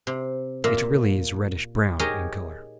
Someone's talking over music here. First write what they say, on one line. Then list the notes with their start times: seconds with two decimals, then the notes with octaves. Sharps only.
It really is reddish-brown in color.
0.07 C3
0.64 A#2 A#3 E5 F5
1.99 D#4 G4 G#4 A#4 C#5 D#5